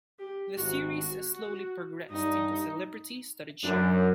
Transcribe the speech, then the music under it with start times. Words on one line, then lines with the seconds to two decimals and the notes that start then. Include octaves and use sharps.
The series has slowly progressed into a celebrity-studded show.
0.19 G4
0.57 G#1 G#2 F#4
0.95 F#4
1.34 F#4
2.10 G2 D#4
3.63 F#2 D4